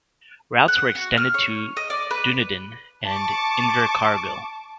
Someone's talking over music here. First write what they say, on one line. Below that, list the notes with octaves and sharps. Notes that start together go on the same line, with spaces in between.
Routes were extended to Dunedin and Invercargill.
F#5
F#4
F6
C#5
D#5
D5
B4
A5 C#6 D6